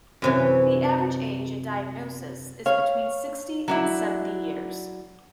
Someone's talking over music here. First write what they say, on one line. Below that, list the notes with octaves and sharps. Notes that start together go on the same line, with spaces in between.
The average age at diagnosis is between sixty and seventy years.
F#2 C3 E3
C#5 F5
F#3 D4 E4